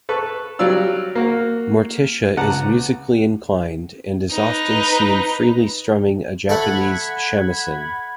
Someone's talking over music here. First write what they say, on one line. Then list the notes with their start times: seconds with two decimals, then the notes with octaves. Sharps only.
Morticia is musically inclined, and is often seen freely strumming a Japanese shamisen.
0.09 A4 B4 C#6
0.59 F#3 G3 D5 F5 E6
1.15 A#3 F#4
2.37 C#2 F#5 A5 A#5
4.32 D#4 B4
6.49 A3 A4 F#5 B5 G#6